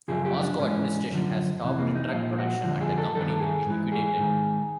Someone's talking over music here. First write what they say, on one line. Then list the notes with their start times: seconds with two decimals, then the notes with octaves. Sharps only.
Moscow administration has stopped truck production and the company will be liquidated.
0.08 F#2 C#3 F3 G#4
0.25 G4
0.42 D4
0.59 G#2 E3 C#4
1.10 F#2 D3 F3
1.61 F2 C3 E3
1.79 A#3
1.95 D#4
2.12 A#2 F3 F4
2.38 F#4
2.64 F2 D3 F3
2.81 G#4
2.98 A4
3.15 G2 D#3 A4
3.40 G#4
3.66 G#2 E3
3.92 G#4
4.17 G#2 D#3